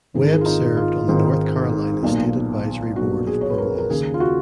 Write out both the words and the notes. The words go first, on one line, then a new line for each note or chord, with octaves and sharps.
Webb served on the North Carolina State Advisory Board of Paroles.
G#1 G#2 D#3 G#4
A#4
G#4
F4
D#4
F4
G#1 G#2 D#3
B1 A#2
B1 A#2 F#4
G#4
C#5
B4
A#4
A#4
D#2 C#3 G#4
F4
F#4